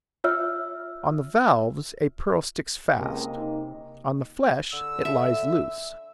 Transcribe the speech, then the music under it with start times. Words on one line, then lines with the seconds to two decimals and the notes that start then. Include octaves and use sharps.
On the valves a pearl sticks fast; on the flesh it lies loose.
0.24 F4 C#5 E5 E6 F6
2.99 C#2 C3 A#3 E4 D#5
3.36 D#4
4.72 D3 E6
5.05 E5